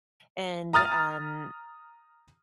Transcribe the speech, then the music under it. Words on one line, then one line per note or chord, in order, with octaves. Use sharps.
and, um,
A#5 D#6 F6 A6